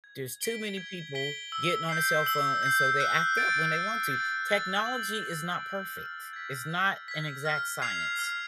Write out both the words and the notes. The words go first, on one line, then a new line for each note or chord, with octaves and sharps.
There's too many people getting on a cell phone, and so, they act up when they want to. Technology is not perfect. It's not an exact science.
G#6
B6 D7 G7
G#6
B6 D7 G7
E6
G6 C7
E6
G6 C7
F#6
A6 D7
F#6
A6 D7
A6
D7 F#7
A6
D7 F#7
F6
G#6 B6
F6
G#6 B6
F6
G#6 C7 F7
F6